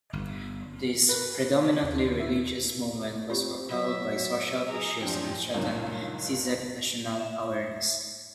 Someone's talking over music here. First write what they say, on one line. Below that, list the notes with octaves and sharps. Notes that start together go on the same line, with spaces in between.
This predominantly religious movement was propelled by social issues and strengthened Czech national awareness.
G1
A#4 B4
D#2
E4
A2
C4 F4 G4
F#3 E5
G#4 A#5 D#6
F#2 C3 F3 C#4 D4 G5
C#2 G2 A#2 D#3 E3 F#3
E5